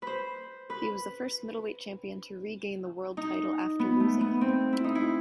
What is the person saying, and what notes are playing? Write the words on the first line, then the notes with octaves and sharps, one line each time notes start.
He was the first middleweight champion to regain the world title after losing it.
B4 C5
B4
D#4
B3
A3
B3
C4
E4
D#4
E4